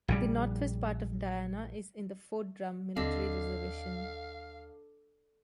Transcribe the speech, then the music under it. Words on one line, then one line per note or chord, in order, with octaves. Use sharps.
The northwest part of Diana is in the Fort Drum military reservation.
A#1 C#3 G3
D#2 D3 C4 A4 D#5 F5